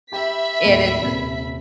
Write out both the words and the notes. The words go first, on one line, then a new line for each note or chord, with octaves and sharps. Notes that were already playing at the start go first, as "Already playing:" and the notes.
and it's uh
G4 E5 G5 B5 B6
D#2 A2
D#1 C2